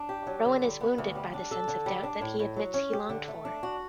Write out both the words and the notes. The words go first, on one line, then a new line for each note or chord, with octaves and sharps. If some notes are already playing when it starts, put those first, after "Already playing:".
Rowan is wounded by the sense of doubt that he admits he longed for.
Already playing: D4
G4
F#3
D3
G3
B3
D2
G3
D4
A4
D3
G3
D4
A2
A2
F#3
C#4
G4
D3
A3
D4
F#4